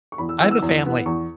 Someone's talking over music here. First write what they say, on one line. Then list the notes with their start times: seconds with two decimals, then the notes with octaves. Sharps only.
I have a family.
0.12 C#6
0.18 E2 B5
0.29 E6
0.40 E3 E6
0.44 B3
0.51 E6
0.62 E2
0.84 E3 B3
1.06 E2 C#6